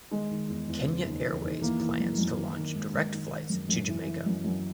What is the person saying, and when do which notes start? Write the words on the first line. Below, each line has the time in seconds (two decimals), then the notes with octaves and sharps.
Kenya Airways plans to launch direct flights to Jamaica.
0.11 D#3 G#3
0.31 D#3
0.48 E2
0.68 E2
0.87 C#3
1.05 D#2
1.24 E3
1.43 D#2
1.61 E3 A#3
1.80 E3
2.00 F#2
2.18 F#2
2.38 D#3
2.56 D#3
2.74 G#2
2.93 G#2
3.12 D#3
3.31 D#3
3.49 F#2
3.69 F#2
3.88 E3
4.07 E3
4.26 F#2
4.44 F#2